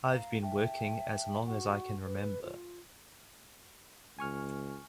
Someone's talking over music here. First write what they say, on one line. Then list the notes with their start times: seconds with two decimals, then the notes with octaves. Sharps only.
I've been working as long as I can remember.
0.07 F5 A#5
0.42 E5 G5 A5
1.47 F#4 F#5 C#6
2.03 B4
2.43 F4
4.19 C#2 G#5 C#6 F6